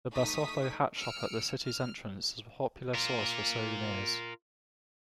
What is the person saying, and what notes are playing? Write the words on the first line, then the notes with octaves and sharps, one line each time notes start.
The Basotho Hat shop at the city's entrance is a popular source for souvenirs.
A3 D#4 C#6 D#6 B6
E6 F6 C#7 D7
F6
F4 A#4